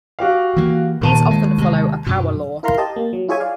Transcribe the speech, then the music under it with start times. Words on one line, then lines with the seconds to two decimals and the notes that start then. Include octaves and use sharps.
These often follow a power law.
0.19 F#4 G4 F5
0.57 E3 A#3
1.01 D#2 A#2 C#3 A5 D#7
1.31 G#3
1.58 C3 G#3
2.07 F#2 B2
2.63 E4 A#4 F5 A#5 C6
2.77 G4 D#5 A5
2.96 A#3
3.13 F#3
3.28 E4 F4 G#4 C#5 E5 G#5
3.40 D5 F5